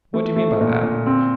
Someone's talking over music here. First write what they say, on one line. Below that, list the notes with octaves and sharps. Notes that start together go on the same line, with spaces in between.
"What do you mean by that?"
A3
A3
A#2
A#2
C4